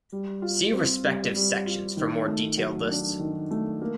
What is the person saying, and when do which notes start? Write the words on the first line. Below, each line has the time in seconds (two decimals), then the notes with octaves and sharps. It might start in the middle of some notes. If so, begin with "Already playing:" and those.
See respective sections for more detailed lists.
0.12 G3
0.42 F4
0.73 C4
1.04 G3
1.36 G3
1.66 F4
1.97 D#3
2.27 A3
2.57 F#3
2.88 D4
3.19 D#3
3.51 A3
3.82 A#3